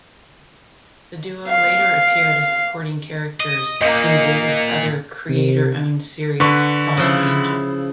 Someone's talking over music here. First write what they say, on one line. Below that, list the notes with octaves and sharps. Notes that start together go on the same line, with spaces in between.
The duo later appeared as supporting characters in David's other creator-owned series, "Fallen Angel".
F5
D#5
A#2 A#3 D#5 G6 C#7
C3
D3 B4 C#6
C#3 F3 E4